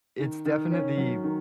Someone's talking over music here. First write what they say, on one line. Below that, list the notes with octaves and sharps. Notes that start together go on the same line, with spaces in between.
it's definitely
D#3
D#3
C#4
F#3
D#3